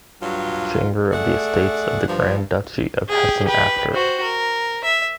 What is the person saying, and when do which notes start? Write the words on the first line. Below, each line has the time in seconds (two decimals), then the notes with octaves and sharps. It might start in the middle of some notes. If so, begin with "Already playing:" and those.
Chamber of the Estates of the Grand Duchy of Hessen after.
0.22 G2 F#3 F4
1.12 A3 G#4 D5 F#5
2.08 G2 F3
3.09 G4 G#4
3.45 G4 B4
3.92 F#4 C5
4.23 A#4
4.84 E5